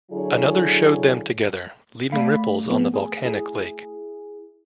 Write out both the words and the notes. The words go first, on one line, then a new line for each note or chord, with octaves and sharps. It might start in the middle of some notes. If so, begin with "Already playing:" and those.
Another showed them together, leaving ripples on the volcanic lake.
D3 F#3 E4 G#4 C#5
A3 D5 F5 B5
F3 B3 C4
G#4
E4 G#4